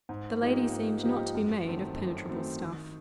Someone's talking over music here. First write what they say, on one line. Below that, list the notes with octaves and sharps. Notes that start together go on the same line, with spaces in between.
The lady seemed not to be made of penetrable stuff.
G#2
F3 A#3 D#4 G4
G#2
F3 A#3 D#4 G4
F#2
D#3 F#3 A3 C4
F#2
D#3 F#3 A3 C4
D#3